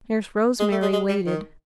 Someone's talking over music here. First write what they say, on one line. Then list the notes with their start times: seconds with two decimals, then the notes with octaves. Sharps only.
Nurse Rosemary waited.
0.60 G#3
0.71 A3
0.82 G#3
0.93 G#3
1.09 G3
1.26 D#3